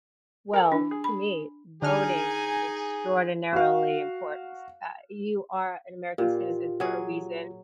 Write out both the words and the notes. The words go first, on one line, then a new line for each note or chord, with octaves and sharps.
Well, to me, voting extraordinarily importance, ah, you are an American citizen for a reason.
A4 A#4
E3 D4
G#4
B5
D3 D4 D#4 G#4 G#5 F6
F#4 F5
A#2 F4 G4
F#3 G#4